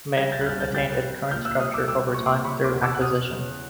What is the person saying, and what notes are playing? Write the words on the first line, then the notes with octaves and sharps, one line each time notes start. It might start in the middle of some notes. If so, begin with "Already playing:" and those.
Man Group attained its current structure over time through acquisition.
G3 G#6 A#6
G6 A6
F#6
C2 F6 G6
G6 A6
G3 G6 A6
C3
A#2 F6 G6
E6 F#6
G3 D#6 F6
D6 E6
G3 D6 E6
A#2 C#6
C6 D6
C#3 B5 C#6
C6 D6
E2
D6 E6
F#6
E2 D#6 F6
C#3